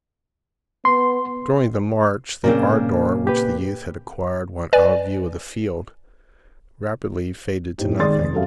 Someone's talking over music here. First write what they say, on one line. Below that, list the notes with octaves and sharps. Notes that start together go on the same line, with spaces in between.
During the march the ardor which the youth had acquired when out of view of the field rapidly faded to nothing.
B3 C6
A#2 C#3 C4 C#4 A#4
G4 B4
B4 D5 G#5
A2 C4 D#4 G4
D#3 G#3 D5 C6 D#6 A6
F1
F#2 G4 A4 E5 F5